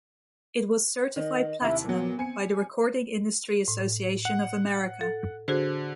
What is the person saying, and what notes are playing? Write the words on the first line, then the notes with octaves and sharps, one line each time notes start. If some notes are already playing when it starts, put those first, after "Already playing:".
It was certified Platinum by the Recording Industry Association of America.
D#3 D#5
D#2 C3 E4 E5
A#2 F#3 B3
C4 G#5 C#7
A2
F#5
A4
D3 F#4 G#4 C5